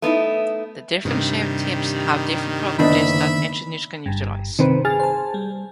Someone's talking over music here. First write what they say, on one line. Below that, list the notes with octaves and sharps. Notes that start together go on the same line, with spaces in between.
The different shaped tips have different properties that engineers can utilize.
A3 B3 D#4 E4
G2 C3 D#3 G3
F#1 D2 D#3 B3 D4 D#5 E5 B5
G1 G2
C3 D#3 C4 B4
G#4 F6 A6
C5 A5
G3